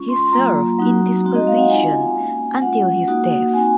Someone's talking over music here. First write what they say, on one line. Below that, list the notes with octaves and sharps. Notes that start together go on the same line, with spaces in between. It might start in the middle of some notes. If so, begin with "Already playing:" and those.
He served in this position until his death.
Already playing: G#3 C#4 F4 C#6
C6
F#3 A#3 F4 A#5
F#3 C4 D#4 F#4
G#3 C4 D#4 F#4
D#5
F5
F#5
C4 F4 G#5
A#3 C#4 F#4
G#3 C#4 F4 F#5
A#3 D#4 F#4
C4 F#4 G#5